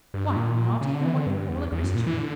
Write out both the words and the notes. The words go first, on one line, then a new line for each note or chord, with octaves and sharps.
Why, I'm not even what you'd call a Christian.
G2
A#2
C#3
D3
E3
D3
G2
E2
E2
F#2
A#2
E3
D3